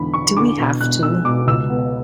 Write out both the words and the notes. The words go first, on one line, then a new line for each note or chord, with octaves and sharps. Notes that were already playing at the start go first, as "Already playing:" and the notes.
Do we have to?
Already playing: E2 D3 B5
D3 C#6
D3 D6
B2
B2 F#6
B2 E6
B2 D6
C#2 E6
B3